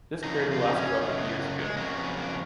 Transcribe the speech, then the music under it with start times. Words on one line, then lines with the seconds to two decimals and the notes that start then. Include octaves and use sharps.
This crater last erupted years ago.
0.24 F2 C#3 D#4
0.51 F4
0.63 D#4
0.75 C#4
1.01 F#2 C#3 F#3 D#4
1.20 B3
1.39 A#3
1.59 G#3
1.77 F2 C#3 F#3 A#3
1.97 B3
2.17 A#3